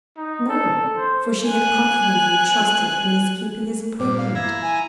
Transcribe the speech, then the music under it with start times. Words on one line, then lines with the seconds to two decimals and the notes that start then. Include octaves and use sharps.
No; for she had confidently trusted in his keeping his appointment.
0.16 D#4
0.48 A4
0.96 C5
1.48 G#5 F#6
3.99 G2 A#2 D6
4.18 F5
4.35 E4 A#5 G#6
4.62 G#5